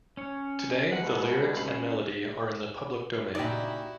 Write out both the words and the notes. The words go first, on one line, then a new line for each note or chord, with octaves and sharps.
Today, the lyrics and melody are in the public domain.
C#4 C#5
C2 B2 G#3 F#5
C#4 F5 B5
A#2 C#3 D#4 E4 F#4 G4 D5 D#5